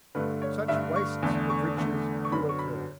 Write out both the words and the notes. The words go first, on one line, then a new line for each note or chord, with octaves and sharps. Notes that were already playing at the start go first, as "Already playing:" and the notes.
Such wastes of riches do occur.
G2 D3 A3 B4
C#5
G2 D3 A3 E5
C#6
E2 D3 A3
C#6
E2 D3 A3
C#6
F#2 D3 F#3 B3 B5
C#6
B5